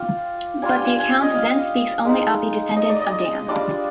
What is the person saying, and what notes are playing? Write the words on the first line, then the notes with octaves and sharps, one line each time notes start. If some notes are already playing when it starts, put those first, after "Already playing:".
But the account then speaks only of the descendants of Dan.
Already playing: F4 D5 F5 G5
G3 D4 F4 G#5
G5
G#5
G#5
G5
D#5
F5
G#3 D#4
D#5
D5
D#5
G3 D4 F4 D5